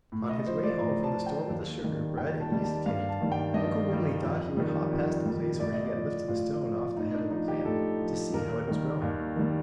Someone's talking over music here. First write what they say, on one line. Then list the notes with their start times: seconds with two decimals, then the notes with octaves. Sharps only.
On his way home from the store with the sugar, bread and yeast cake, Uncle Wiggily thought he would hop past the place where he had lifted the stone off the head of the plant, to see how it was growing.
0.12 A2
0.29 D#5
0.46 F3 C5
0.64 D5
0.81 A2 A#5
1.03 A5
1.15 F3
1.26 G5
1.49 D#2
1.84 D#3 G3
2.17 D#2 G5
2.40 A5
2.52 D#3 G3
2.64 A5
2.86 G2 F5
3.09 A5
3.21 D#3 G3
3.32 G5
3.54 G2 D#5
3.89 D#3 G3
4.23 F2
4.57 D#3 G3
4.91 F2
5.26 D#3 G3
5.60 A2 D5
5.73 D#5
5.86 D5
5.94 F3
6.28 A2 F4
6.63 F3
6.97 A2 D#4
7.14 D4
7.31 F3 D#4
7.48 G4
7.65 A2 A4
8.00 F3
8.34 D#2 A#4
8.68 D#3 G3
9.02 D#2
9.36 D#3 G3